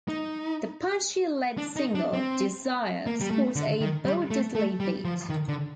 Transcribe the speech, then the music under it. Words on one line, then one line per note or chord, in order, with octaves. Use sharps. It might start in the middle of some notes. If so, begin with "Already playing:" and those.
The punchy lead single, "Desire", sports a Bo Diddley beat.
D#4
D4
D#4
D4
C4
A#3
G3
A3
D3
D#3
G3
A3
A3
G3
F3
D#3
D3